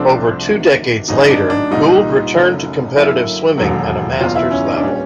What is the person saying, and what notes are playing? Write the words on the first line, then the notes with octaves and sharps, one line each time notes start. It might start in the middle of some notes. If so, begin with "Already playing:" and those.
Over two decades later, Gould returned to competitive swimming at Masters level.
Already playing: C2 C3 F3 A3 C4 D4
D2 C3 D#3
G#1 F#2 C#3 D#4
D4
D4
C2 A#2 G3 D#4
F#1 F#2 C#3 F#3 A3
F#2 D3 F#3 A#3 E4
E1 D#2 D3 F#3
F#1 E2 B2 F#3 F4
E4
C#4
D#4
D4
A#2 G3 B3 C#4